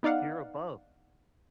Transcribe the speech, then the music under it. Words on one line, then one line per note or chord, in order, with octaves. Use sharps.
here above,
B3 D#4 D5 F5 F#5